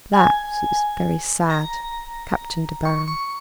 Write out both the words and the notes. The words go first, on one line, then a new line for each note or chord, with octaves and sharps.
"That is very sad, Captain De Baron."
G#5
A#5
C#6
C#6